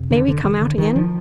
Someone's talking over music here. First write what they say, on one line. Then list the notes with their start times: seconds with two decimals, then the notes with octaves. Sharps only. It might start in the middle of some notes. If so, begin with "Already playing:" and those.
May we come out again?
Already playing: F2 C3
0.11 D3
0.28 D3
0.45 D#3
0.61 D3
0.78 D#3
0.96 F3